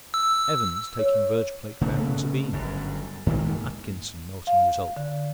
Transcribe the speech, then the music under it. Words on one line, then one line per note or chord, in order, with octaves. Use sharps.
Evans taking verge plate bearings abeam. Atkinson noting results.
E6
C#5
C#3 A3 B3
G1 F#2
G#2 D#3 G#3 A#3
F5
D3